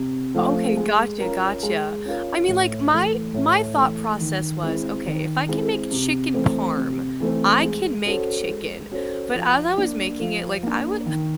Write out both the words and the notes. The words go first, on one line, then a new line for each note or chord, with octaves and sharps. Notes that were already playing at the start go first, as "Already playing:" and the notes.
Okay, gotcha, gotcha. I mean, like, my my thought process was, okay, if I can make chicken parm, I can make chicken, but as I was making it, like, I would
Already playing: C3
F3 A3 C4
G#3
C#4 F4 A#4
G#3
C#4 F4 A#4
A2
E3 A3
A2
E3 A3
D#3
G#3 C4 E4
D#3
G#3 C4 E4
C3
E3 A3 C4
C3
E3 A3 C4
G#3
C#4 F#4 A4 C5
G#3
C#4 F#4 A4 C5
F3
A#3 D4
F3
A#3 D4
D#3